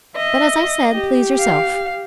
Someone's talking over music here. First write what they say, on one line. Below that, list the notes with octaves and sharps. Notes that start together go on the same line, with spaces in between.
But as I said, please yourself.
D#5 E5
G4
F5